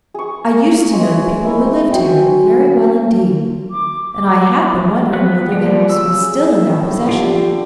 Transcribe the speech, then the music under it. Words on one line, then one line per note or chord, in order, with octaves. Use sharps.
I used to know the people who lived here--very well indeed--and I have been wondering whether the house was still in their possession.
G#4 C#6
G#3 C#4
E4
F#3 C5 G5 G#5
D6
D6
B3 C4 F#6
F3 G3 D5
C#3 E6
G#4
A2
D3 F4 G4